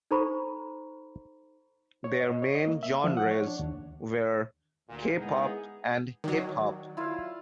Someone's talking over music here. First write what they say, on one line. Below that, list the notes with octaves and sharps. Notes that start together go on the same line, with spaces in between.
Their main genres were K-pop and hip-hop.
D#4 A4 C5 A#5 B5 C#6
C#5
D#5
C#5
D#5
A#3
E5
F3
F#5
C#5
D4
D#2
D2 A#2
G#3 A#3 B3 D#4 E4 G#4
D#3 F#3 D5 G#5
E4 F4 F5